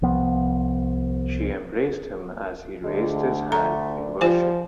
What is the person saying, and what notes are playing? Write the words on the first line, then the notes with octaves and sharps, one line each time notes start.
She embraced him as "he raised his hand in worship".
C2 F3 B3
D2 D3 G#3
A3 A#5
F3 G3 F4 C5 G#5